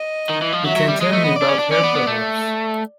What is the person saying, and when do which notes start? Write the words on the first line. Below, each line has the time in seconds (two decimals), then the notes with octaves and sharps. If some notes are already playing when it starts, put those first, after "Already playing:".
You can tell me about her perhaps?
Already playing: D#5
0.29 D#3
0.42 E3
0.52 F3
0.64 F#3 E5
0.76 F#3
0.88 G3
1.01 G#3 D#5
1.13 A3
1.24 B3
1.36 D5
1.42 D4
1.48 C#4
1.59 D4
1.71 C#4 D5
1.84 B3
1.95 B3
2.07 A3